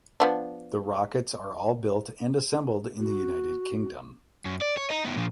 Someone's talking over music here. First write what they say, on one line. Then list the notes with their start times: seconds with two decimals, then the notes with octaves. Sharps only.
The rockets are all built and assembled in the United Kingdom.
0.20 F3 B3 D4
2.99 F#4
4.45 F#2
4.61 D5
4.77 C#5
4.90 D#5 A#5
5.05 D#3 B3
5.17 A#2 F3